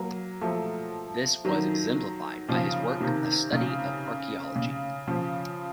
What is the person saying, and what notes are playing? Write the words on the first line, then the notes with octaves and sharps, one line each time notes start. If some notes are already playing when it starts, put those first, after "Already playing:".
This was exemplified by his work "A Study of Archeology".
Already playing: F#3 A#3
F3 A3
D#3 F#3
C#3 F3
C3 D#3
C#3
C#3
C#3 F3